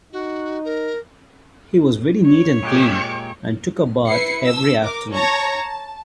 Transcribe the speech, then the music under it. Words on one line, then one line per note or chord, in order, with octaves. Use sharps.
He was very neat and clean, and took a bath every afternoon.
D#4 F#4
A#4
C#5
A#2 G#3 G4
E4 B4 C7 C#7
E6
A#4 D6
C#5 A5 A#5
A5